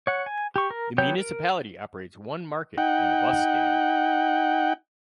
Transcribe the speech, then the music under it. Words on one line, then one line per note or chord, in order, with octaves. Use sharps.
The municipality operates one market and a bus stand.
C#5 F#5
G#5
G4 C#6
A#4
F#3 B3 C#5 G5 G6
A#4
D#4 F#5 G5